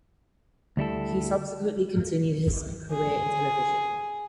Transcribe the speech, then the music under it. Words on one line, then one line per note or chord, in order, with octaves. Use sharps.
He subsequently continued his career in television.
D2 G3 E4 A4
G#4